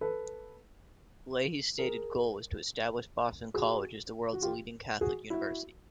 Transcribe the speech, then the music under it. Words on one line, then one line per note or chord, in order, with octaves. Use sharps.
Leahy's stated goal was to establish Boston College as the world's leading Catholic university.
A4 B4
G#4 A#4
F#4 G#4
F#4
F4 G4
F#4 G#4
E4 F#4